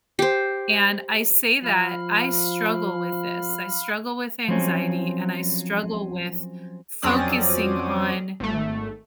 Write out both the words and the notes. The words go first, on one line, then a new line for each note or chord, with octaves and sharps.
And I say that I struggle with this, I struggle with anxiety, and I struggle with focusing on
G4 C5
F3 F5 B5 F6
F3 F#3 C4 C#4
F2 F#3 C4 C#4 D5 D#6
G#1 A3